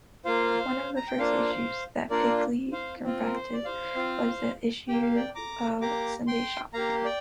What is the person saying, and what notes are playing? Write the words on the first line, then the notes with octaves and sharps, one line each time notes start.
One of the first issues that Pilkey confronted was the issue of Sunday shopping.
A#3 F4 C5 F5
A#5
G5
A#3 D4 F4 C5 F5
A#3 D4 F4 A#4 D5
C5 F5
C4 F4
A#4
C5
D5
C5 F5
C4 F4
A#3 G4 G5
F5
D5 G5
A#5 D6
A#3 G4 A#5 D6
G5 C6
A#3 G4 F5 A#5
D5 G5